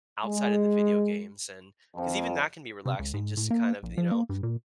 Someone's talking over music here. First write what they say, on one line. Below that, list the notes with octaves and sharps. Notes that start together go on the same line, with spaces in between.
outside of the video games and 'cause even that can be relaxing just to kind of, you know,
G#3
F2
C3
C#2
G#2
A2
A#3
A#1
F3
A#3
G2
A#2